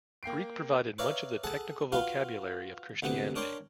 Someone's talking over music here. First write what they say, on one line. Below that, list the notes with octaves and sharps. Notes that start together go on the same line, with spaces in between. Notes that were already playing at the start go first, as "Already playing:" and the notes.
Greek provided much of the technical vocabulary of Christianity.
A#3 G5 C7 D7
B4 C#5 D5 E5 F5 A#5
G#4 A4 F#5 A5
F4 F#4 B4 F5
D2 C3 B3 F#5
D4 A#4 C#5 D5 G5 C6